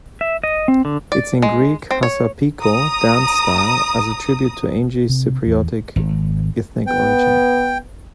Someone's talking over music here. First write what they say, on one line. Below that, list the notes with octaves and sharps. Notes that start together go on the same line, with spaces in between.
It's in Greek "hassapiko" dance style, as a tribute to Angie's Cypriot ethnic origin.
E5
D#5
C4
D3
D5
G#3
C4
C#5
A#5 D#6
C3
E2
G#1
B3 G5